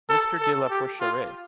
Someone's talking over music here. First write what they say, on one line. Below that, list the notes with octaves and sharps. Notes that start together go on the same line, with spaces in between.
Mister de la Porcheraie.
A4
A4
G4
F4